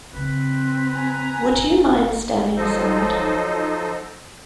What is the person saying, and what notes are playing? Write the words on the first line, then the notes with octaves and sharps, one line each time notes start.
Would you mind standing aside?
C#3 F#3 C4 B4
G#5 A#5
F3 F#3 D#4 A4 C5 D#5